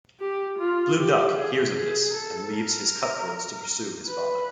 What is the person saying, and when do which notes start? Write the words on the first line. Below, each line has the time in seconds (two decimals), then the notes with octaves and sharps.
Blue Duck hears of this and leaves his cutthroats to pursue his father.
0.20 G4
0.60 F4
0.98 G4
1.36 G#4
1.76 G#4
2.14 A4
2.54 A#4
4.08 B4